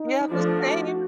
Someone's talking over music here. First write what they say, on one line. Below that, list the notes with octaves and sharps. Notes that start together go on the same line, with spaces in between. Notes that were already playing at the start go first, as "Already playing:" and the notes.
Yeah, the same.
Already playing: D#4
F3 A3 D4 F4
F#4
F#4